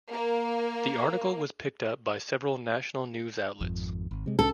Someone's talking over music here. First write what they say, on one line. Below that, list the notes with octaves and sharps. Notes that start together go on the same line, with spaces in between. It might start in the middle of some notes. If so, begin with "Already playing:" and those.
The article was picked up by several national news outlets.
A#3
G#1 F2
G#1
C3 G#3
C2 C4 C#4 A4